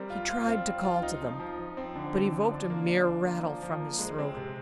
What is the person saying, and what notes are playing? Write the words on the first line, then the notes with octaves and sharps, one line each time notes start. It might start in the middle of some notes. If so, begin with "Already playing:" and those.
He tried to call to them, but evoked a mere rattle from his throat.
Already playing: G3 C4 A#4
F4
F4
C4
C4
F4
D#4
F3
F3
F3
C4
D3
C4
F3
D4
A#3
D4
D4
A#3
F3
F3
A#3
G#3
C4
C3